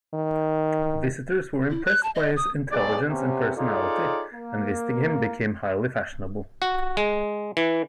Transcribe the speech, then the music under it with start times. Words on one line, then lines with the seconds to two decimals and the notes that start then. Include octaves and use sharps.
Visitors were impressed by his intelligence and personality, and visiting him became highly fashionable.
0.14 D#3
1.70 E4
1.85 F#6
2.03 A5
2.15 D#5
2.36 D#6
2.71 B1 G#4 D5
3.07 C3 B3 C#4
3.56 D#4 F4 G#4 A4 C#5 D5
4.34 A#3
6.62 F#4
6.97 G#3
7.57 E3